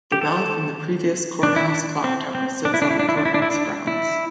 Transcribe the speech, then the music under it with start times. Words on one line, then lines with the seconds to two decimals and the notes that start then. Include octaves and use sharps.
The bell from the previous courthouse clock tower sits on the courthouse grounds.
0.12 G4
0.21 A4
1.43 D4
1.56 E4
1.68 D4
2.04 C4
2.35 C4
2.65 D4
2.74 E4
2.82 D4
2.90 E4
2.99 D4
3.09 E4
3.17 D4
3.25 E4
3.34 D4
3.42 E4
3.51 D4
3.87 E4